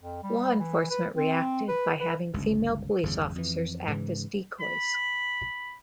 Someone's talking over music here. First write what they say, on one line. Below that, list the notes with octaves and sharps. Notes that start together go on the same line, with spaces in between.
Law enforcement reacted by having female police officers act as decoys.
F2
G3
E3
B4
C4
B4
B4
G1 C#2
G1 E2 C#3
F2 E3
G#2 C#3 E3
B5